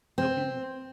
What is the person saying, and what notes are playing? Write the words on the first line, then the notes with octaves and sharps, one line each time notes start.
He'll be
C4